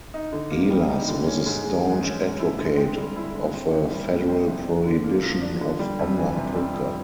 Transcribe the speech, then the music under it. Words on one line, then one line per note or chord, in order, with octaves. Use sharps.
Ehlers was a staunch advocate of a federal prohibition of online poker.
D#4
D3
A#3
G3
D#4
D3
C#4
G#2
G#3
E3
C#4
G#2
E4
D3
C4
G3
E4
D3
C4
C2
G3
A#2
C4
C2
D4
D3
A#3
F3
D4
D3
G3
F2
E3
C3
G3
F2